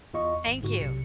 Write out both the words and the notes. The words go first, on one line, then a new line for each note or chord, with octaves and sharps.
thank you.
E2 F4 D#5 C#6
G#1
G#2 D3 F#4
B1 C3 C#7